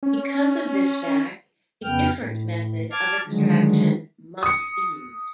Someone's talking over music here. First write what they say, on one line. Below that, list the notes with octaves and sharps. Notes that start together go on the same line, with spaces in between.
Because of this fact, a different method of extraction must be used.
C#4
F2 C#3 B3 G5 F6
A2
A5 D6 F6 G#6
D3 D#3 F3 F#3 G#3
D#6 C#7